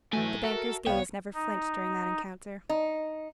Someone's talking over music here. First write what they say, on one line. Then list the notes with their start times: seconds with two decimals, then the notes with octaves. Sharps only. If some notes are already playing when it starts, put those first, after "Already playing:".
The banker's gaze never flinched during that encounter.
0.13 G#2 E3 F#3 A3 G#5
0.44 F#4 A4 A#4 E5
0.87 C2 B3 C#5 F5 G5
1.34 D#4
2.69 D#4